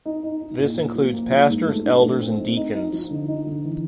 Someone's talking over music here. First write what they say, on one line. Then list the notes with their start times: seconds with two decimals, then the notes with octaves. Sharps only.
This includes pastors, elders and deacons.
0.06 D#4
0.23 D#4
0.41 D#4
0.59 A#2
0.77 A#3
0.95 F3
1.13 A#3
1.31 F3
1.50 G#2
1.67 A3
1.85 D4
2.02 A3
2.21 C4
2.39 D#4
2.57 D#4
2.75 D#4
2.93 F3
3.11 D3
3.28 D#4
3.47 D3
3.65 E3